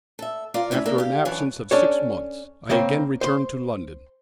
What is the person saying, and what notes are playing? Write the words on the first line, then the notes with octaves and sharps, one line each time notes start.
After an absence of six months, I again returned to London.
A4 E5
F4 A#4 D5 F5
A3 C#4 E4 E5
A#3 D4 A4 A#4
G4 F5
F#2 E3 D4 C#5
C#4 D4 A4 C#5
C#3 A#3 C4 C#5
C5 C6